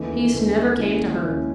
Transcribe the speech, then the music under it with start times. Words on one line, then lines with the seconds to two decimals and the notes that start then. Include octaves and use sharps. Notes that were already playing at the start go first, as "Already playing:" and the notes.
Peace never came to her.
Already playing: D#2 C#3 E3 A3 D#4
0.34 D#2 C#3 E3 A3 D#4
0.79 D#2 C#3 G#3 C#4 E4
1.23 D#2 C#3 G#3 C#4 E4